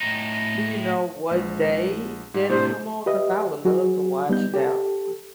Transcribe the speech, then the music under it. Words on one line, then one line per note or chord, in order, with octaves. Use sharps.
Do you know what day did it come on? 'Cause I would love to watch that one.
A2 D#4
A#1 G#3
G#2
A2 C3 D4 G4 C5
G4 B4 D#5 E5
F#3 F#4 G#4
G3 B3 D#4 G6
G4 A4